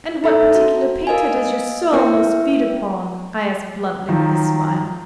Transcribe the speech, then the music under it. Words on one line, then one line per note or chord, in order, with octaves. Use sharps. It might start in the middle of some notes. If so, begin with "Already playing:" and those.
'And what particular painter does your soul most feed upon?' I asked bluntly, with a smile.
D#4 A4 E5 A#5
F#4
A#4 D#5 F5 G#5
B3 E4 A#4 E5 G5
D#3 F3 F#3